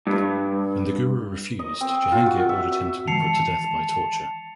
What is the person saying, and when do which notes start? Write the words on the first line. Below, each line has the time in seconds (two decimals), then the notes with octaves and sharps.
When the Guru refused, Jahangir ordered him to be put to death by torture.
0.07 G2
1.59 D#5
1.81 C4
2.12 F4
2.26 F#4
2.49 E5
2.72 E5
3.07 D#3 E3 G#3 A5 C7 C#7 F7